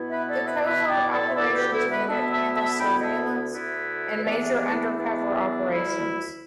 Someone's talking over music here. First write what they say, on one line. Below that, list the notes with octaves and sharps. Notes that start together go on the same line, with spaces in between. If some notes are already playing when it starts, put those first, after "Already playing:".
The Covert Operations Unit handles surveillance and major undercover operations.
Already playing: B2 B3 E4
B4 E5
A4 D5
B4 E5
B2 B3 E4 B4 E5
A5
D5 G5
A4 D5
E5
D2 D3 B3 E4 A4 D5
G4 B4
E4 A4
B4 E5
D2 D3 B3 E4 E5 A5
E5 A5
E5 A5
D2 D3 B3 E4 G5 B5
E5 A5
D2 D3 B3 E4
B4
E2 E3 B3 D4 A4 D5
A4
G4
E4
E2 E3 B3 D4
D2 D3 G3 E4